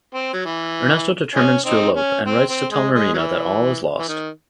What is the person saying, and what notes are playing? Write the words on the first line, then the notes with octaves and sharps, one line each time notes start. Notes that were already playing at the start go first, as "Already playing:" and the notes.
Ernesto determines to elope and writes to tell Norina that all is lost.
C4
F#3
E3
E3 G#3 C#4
C4 D#4
C#4
C4
C4
G#3
G#3
F#3
E3
E3
D#3